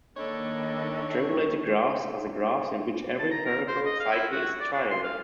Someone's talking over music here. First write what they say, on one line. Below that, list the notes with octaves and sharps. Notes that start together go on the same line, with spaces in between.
Strangulated graphs are the graphs in which every peripheral cycle is a triangle.
D#3 A#3 D4 A4 C#5 D#5 G5 B5
A5
A#5
A#4
C5
D#5
F5
E4
F#4
D5
D4
C6
F5